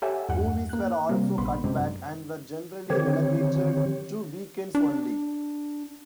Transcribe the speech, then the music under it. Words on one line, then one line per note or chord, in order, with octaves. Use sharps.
Movies were also cut back, and were generally relegated to weekends only.
G4 A4 C#5 E5 F#5 G#5
E2 G2 F#5
A#3 F#6
C3 G3 A#3
A#1 B3 B5 C6
F#2 C3 G#3
D3 D#3 F3 C4 G4 C#5
D4